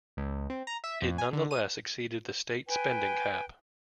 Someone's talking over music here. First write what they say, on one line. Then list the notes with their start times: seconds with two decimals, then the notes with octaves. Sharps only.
It nonetheless exceeded the state spending cap.
0.17 C#2
0.50 C4
0.67 A#5
0.84 E5
1.02 F2
1.18 G#5
1.33 D3
1.51 D#7
2.68 B4 G5 G#5